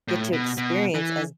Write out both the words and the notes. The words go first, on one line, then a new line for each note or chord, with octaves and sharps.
get to experience as
A2
B2
B2
E3